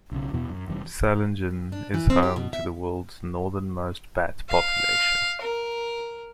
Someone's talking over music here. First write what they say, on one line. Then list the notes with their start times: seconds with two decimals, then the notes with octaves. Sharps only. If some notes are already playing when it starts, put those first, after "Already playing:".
Salangen is home to the world's northernmost bat population.
0.11 B1 C#3
0.33 E2 B2 E3 B3
0.49 F#2
0.68 F1 E3 G3
1.72 D4
1.94 E3
2.10 C4
2.23 G4
2.36 B2
2.53 E5
4.50 F5
5.42 A#4